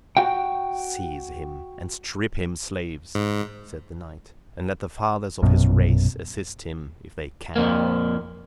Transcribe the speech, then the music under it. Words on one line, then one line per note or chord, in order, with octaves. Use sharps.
"Seize him and strip him, slaves," said the knight, "and let the fathers of his race assist him if they can."
F#4 F#5 G5
G#2
A#1 F#2 B2
F2 A#3